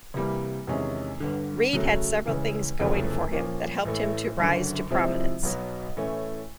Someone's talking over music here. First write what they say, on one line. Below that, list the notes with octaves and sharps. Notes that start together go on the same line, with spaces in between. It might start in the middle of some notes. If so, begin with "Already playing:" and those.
Reid had several things going for him that helped him to rise to prominence.
C2 C3 E3 G3 A#3
E2 C3 D#3 G#3 C#4
G1 G2 D3
C#3 F#3 A3
C#2 C#3 E3
F1 E2 C#3 F3 A3
A#2 F3 A#3 C#4
A1 A2 E3 A3
F#1 F#2 D3
C3 F3 G#3 C4 E4
B1 B2 F#3
A2 E3 A3 C#4